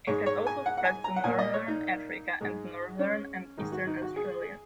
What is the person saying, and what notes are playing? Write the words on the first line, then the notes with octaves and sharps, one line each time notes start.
It has also spread to Northern Africa and Northern and Eastern Australia.
G#2 G#3 C#5
C#5
G#5
F#5
F#5
G#5
A#5
F#5
A#2 A#3 G#5
D#5
C#5
D#4
G#2 G#3
C#4
G#2 D#3 G#3 D#4
F#4
D#4
F#4
G#4